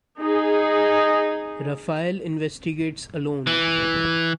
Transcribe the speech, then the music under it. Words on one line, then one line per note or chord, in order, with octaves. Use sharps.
Raphael investigates alone.
D#4 G#4
E3